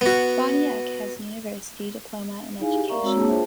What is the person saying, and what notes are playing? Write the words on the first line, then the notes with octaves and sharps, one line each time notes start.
Boniek has a University diploma in education.
B3 F#4
D#4 E4 G#4 F5 G#5
G4
A#4 D5 E5 F5 A#5 C#6
G#3 C4 F#4 C#5 A#5 E6
A#3 D4 G#4 C#5 A5
F4 G#4 C5 E5 G5 A5